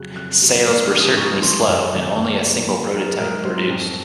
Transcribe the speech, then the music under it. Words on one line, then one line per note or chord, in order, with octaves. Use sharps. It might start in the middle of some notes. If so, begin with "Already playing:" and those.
Sales were certainly slow, and only a single prototype produced.
Already playing: F2 C#3 F#3 F#6
F2 F#6
C#3 F#3
G#2 F6
F6
F3
D#6
G#2 C#6
F3 C6
F#2 G#5
D#3 F#3 D#5
F#2 C#5
C5
D#3 F#3
A#4
G#2
F#3 A#4
G#2 A#4
F#3 C5
F2